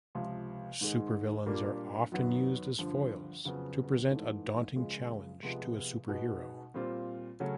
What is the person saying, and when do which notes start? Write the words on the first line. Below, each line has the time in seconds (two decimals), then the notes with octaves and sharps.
Supervillains are often used as foils to present a daunting challenge to a superhero.
0.15 C#2 C3 F3
0.81 G#2 D#3 G#3
1.46 A#2 G3 A#3 D4
2.12 F#2 D#3 F#3 B3
2.78 G2 D3 F3
3.45 F2 C#3 F#3 B3
4.10 G#2 E3 A3
4.76 C#2 C#3 F3 G#3
5.43 C#2 C3 F3 G#3 B3
6.08 B2 G#3 B3 D#4 F#4
6.74 A#2 G3 C4 F4
7.40 C#3 F#3 A3 C#4